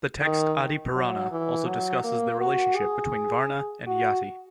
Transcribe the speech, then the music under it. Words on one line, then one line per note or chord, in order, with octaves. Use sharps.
The text Adi purana also discusses the relationship between varna and jati.
D#3
F#3
E3
F#3
A#3
F#4
G#4
F#4